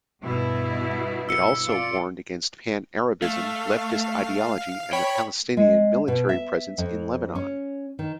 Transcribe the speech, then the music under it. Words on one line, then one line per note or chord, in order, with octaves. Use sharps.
It also warned against pan-Arabism, leftist ideology and the Palestinian military presence in Lebanon.
G2 B2 E4
E6 C#7
F4 D5
A3 F5
C#5 G5 B5
G#3
B2
E5
F2
C#4
D#3